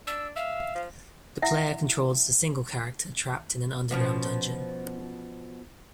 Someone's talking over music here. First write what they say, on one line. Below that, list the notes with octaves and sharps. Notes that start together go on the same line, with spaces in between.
The player controls a single character trapped in an underground dungeon.
D4 E6
E5 F5
F3
E4 E5 F#5
B2 F3 C#4